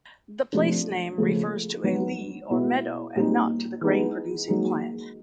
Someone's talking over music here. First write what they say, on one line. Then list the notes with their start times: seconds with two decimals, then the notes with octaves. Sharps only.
The place-name refers to a lea or meadow and not to the grain-producing plant.
0.53 C3 F3 A3 D4
1.18 C#3 F3 A3
1.84 F#3 B3 D#4 F#4
2.50 B2 G#3 B3 E4
3.16 A#2 G3 C4 D#4
3.81 E3 G#3 B3 D#4 G#4
4.48 F#3 A#3 D#4 G#4